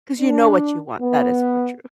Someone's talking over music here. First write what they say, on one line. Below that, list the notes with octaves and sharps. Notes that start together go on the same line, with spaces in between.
‘Cause you know what you want. That is for true.
D4
B3